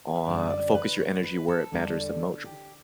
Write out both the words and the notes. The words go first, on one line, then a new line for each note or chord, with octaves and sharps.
on focus your energy where it matters the moch
E5
F#2 D3 G3 D5
D5
B4
C#5
B4
A4
E2 D3 G3
G4